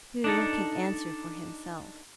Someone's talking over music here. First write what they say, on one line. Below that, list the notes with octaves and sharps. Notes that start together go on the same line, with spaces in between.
Who can answer for himself?
D4 D#4 A4